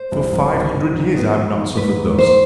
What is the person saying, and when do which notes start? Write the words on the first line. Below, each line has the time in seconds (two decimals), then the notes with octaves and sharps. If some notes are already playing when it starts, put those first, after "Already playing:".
For five hundred years I have not suffered thus.
Already playing: C5
0.12 C2
0.32 C2
0.53 C2
0.74 C2
0.94 D#3
1.15 B3
1.36 D#3
1.56 D#3
1.77 G#2 B4
1.97 G#2
2.18 D#3 C5